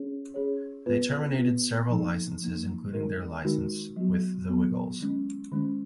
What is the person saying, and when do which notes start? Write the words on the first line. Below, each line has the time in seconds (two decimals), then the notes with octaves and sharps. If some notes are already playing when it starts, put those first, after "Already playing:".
They terminated several licenses including their license with The Wiggles.
Already playing: C#4 G#4 C#5
0.34 C#4 G#4 C#5
0.86 B3 F4 B4
1.38 B3 F4 B4
1.90 F3 A#3 D#4
2.41 F3 A#3 D#4
2.94 D#3 G#3 D#4 F#4 A#4
3.45 D#3 G#3 D#4 F#4 A#4
3.96 F#3 B3 F#4
4.49 F#3 B3 F#4
5.00 D#3 G#3 C#4
5.52 D#3 G#3 C#4